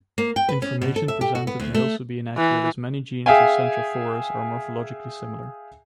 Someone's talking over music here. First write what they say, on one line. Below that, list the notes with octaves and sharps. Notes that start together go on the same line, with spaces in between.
Information presented may also be inaccurate as many genus of "Centrophorus" are morphologically similar.
A#3
G5
B4
C#4
B2
A4
E5
G4
F#4
B3
D2
A3
E3
G#4 E5 F5 G5 G#5